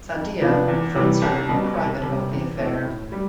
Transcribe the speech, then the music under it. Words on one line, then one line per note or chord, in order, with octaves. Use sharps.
Sandhya confronts her in private about the affair.
F2
C3 F3 B3 D4
E2
C3 E3 G3
C2
B2 G3
C2
C3 G3
E2
B2 A3 E4
A2
G3